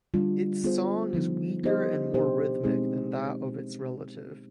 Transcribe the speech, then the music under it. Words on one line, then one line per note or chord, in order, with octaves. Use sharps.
Its song is weaker and more rhythmic than that of its relative.
D3 G3 D4 F4
B3 F4 G#4 C5
D3 F3 B3 D#4
B3 D#4 G4 C5 D#5
B2 B3 D4 G4 C5
B2 G#3 C4 D#4 G#4